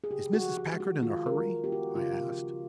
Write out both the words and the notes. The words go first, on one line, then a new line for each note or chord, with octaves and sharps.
"Is Mrs. Packard in a hurry?" I asked.
G#4
C#3 G4
F#4
F3
F#4
G#3
F#4
D#3 F4
A#4
G#3
B3 G4
F#4
C#3 F4
F3